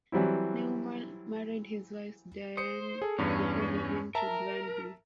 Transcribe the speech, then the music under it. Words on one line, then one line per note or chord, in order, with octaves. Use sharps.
Neumann married his wife Diane before moving to Granby.
E3 F#3 G3 C4 E4
C5 D#6 C#7
G#4 A4
E2 G2 C#4
A#4 E5 A5 A#5